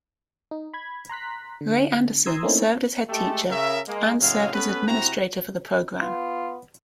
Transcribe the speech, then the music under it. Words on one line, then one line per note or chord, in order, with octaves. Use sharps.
Ray Anderson served as Head Teacher and served as administrator for the program.
D#4
B5 G#6
A#5 C6 F#6 B6
D3
A#5 C6 D#6 E6 G#6
A3 A#3 C4 C#4 D#4 E4
G#3 A3 G4 A4
C#3 A#4 E5
G#3 A#3
A2 C#3 F#3 G#3 G#4 F5
B3 C#4 A4 B4
C3 C4 E4 F#4 A#5
B3 F4